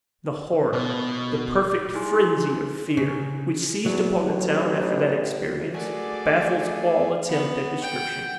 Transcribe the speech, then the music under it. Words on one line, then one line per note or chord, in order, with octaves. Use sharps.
The horror, the perfect frenzy of fear, which seized upon the town after that experience, baffles all attempt at description.
B2
D#4 E4 G#4 G#5 C6
C#3
E2 F#3
A1
A3 F#4 G#4 A#4 D5 F#5 D6
B3
F#5 G5